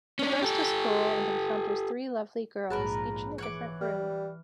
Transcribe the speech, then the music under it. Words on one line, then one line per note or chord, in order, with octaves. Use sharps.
He goes to school and encounters three lovely girls, each in a different room.
C#4 D4
G4 A4
A#1 G#2 G#4 A#4 B4 A5 F#6
E3 C#5 F#5 D6
G3 F6